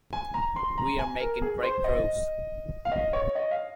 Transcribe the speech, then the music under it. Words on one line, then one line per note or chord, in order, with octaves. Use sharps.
We are making breakthroughs.
G#5
A#5
C6
A#5
G#5
A#4
G#4
C5
D#5
F5
D#5
C#5
D#5
F5